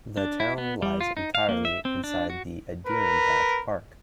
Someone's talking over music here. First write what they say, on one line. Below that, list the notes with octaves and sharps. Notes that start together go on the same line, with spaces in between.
The town lies entirely inside the Adirondack Park.
D4
E4
B3
G3
F4
D#4
F5
A#3
E5
C4
D4
F#4
A#4 B4